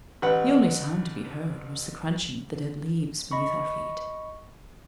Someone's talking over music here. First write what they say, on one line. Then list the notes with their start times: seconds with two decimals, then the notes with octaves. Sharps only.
The only sound to be heard was the crunching of the dead leaves beneath our feet.
0.22 A1 B4 F#5
3.31 D#5 B5 C#6